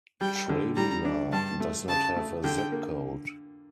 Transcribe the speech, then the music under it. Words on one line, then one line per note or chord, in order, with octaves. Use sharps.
Travilah does not have a zip code.
G3 G5
D3
G3 A#5
D4
G2 A5
A3
C#3 A5
A3
D3 G5
A#3